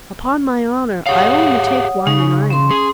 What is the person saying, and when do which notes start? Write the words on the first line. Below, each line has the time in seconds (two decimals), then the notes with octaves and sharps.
'Upon my honour, I only take wine and iron.
1.06 G4 G#4 C#5 F5 F#5 D#6
2.07 C#3 D#4
2.50 C#4 C6
2.70 G#4